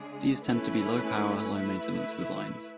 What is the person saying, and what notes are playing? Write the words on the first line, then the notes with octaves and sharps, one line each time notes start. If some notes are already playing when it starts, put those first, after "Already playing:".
These tend to be low power, low maintenance designs.
Already playing: C#3 G#3 D4 G#4
E3 A3 C#4 E4 B4
A3 E4 B4 E5